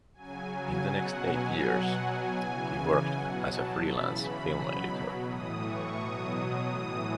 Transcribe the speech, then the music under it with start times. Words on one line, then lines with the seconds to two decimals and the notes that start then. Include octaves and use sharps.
In the next eight years, he worked as a freelance film editor.
0.14 C#3 F#3 G#5
0.51 G#5
0.87 B2 F#3 F#5
1.23 G#5
1.60 B2 F#3 F#5
1.96 G#5
2.33 C#3 E3
3.06 B2 F#3 F#5
3.42 A5
3.78 C#3 E3 B5
4.15 B5
4.51 B2 F#3
5.24 A2 E3 D#6
5.60 C#6
5.97 B2 F#3 D#6
6.34 D#6
6.70 A2 E3 D#6